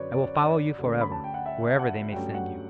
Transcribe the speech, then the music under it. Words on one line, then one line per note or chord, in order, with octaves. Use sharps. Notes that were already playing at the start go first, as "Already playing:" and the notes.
I will follow you for ever, wherever they may send you.
Already playing: F#2 D3 F#3 C#4 B4 C#5 D5
D5
C#5
D5
D2 D3 A3 C#4
B5
A5
G5
F#5
E5
F#5
G2 F#3 A3 C#4 G5
F#5